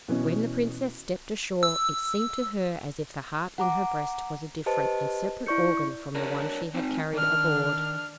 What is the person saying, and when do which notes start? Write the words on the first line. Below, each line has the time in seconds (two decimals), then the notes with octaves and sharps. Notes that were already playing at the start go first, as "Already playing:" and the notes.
When the princess stepped ashore it seemed to her as if the heart in her breast was a different and separate organ from the one she had carried aboard.
0.08 B2 E3 B3 C#4
1.63 E6
3.58 F#5 A#5 D6
4.66 G4 B4 C5 D#5 A5
5.46 E4 D5 C#6 G6 C#7
6.15 D4 A#4 C#5
6.74 C4 D#4
7.13 D#3 D4 F6